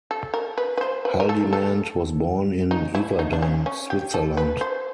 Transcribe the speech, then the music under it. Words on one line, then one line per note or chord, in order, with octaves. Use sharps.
Haldimand was born in Yverdon, Switzerland.
A4
A#4
B4
B4
C5
B4
A#4
A4
A4
D#4
E4
D#4
D4
C#4
C#4
G4
A4
B4
C5